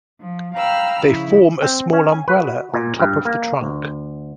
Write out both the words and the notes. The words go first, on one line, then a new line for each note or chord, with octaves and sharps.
They form a small "umbrella" on top of the trunk.
F3
F5 G5 A#5 B5 E6 F6
C#3 F3 E4
C4
C#4
G#5
B4
F#4
A#2
G2
A#3
D2